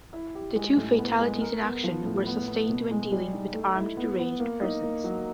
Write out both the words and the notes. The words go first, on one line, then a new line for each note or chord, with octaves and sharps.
The two fatalities in action were sustained when dealing with armed deranged persons.
E4
G4
G#3
A2
B3
G#3
A#4
B3
F3
A2
B3
B3
B2
G#3
G3
D#4
A3
E4
B3
B3
A#3
D#4
A#3
F#3